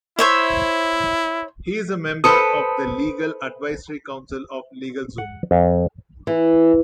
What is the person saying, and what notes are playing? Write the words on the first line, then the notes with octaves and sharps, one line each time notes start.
He is a member of the Legal Advisory Council of LegalZoom.
E4 C5 C#5 E5
A4 B4 C5 D#6 C#7
F#5
F2
E3